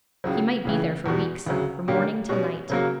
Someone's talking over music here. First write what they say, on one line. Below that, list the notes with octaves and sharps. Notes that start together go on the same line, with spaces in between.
He might be there for weeks, from morning till night.
C#2 C#3 F#3
C#2 C#3 E3
E2 B2 G3
D2 C#3 F#3
D3 G3 A#3 C#4 G4
B2 G3 C#4
C#3 F#3 A#3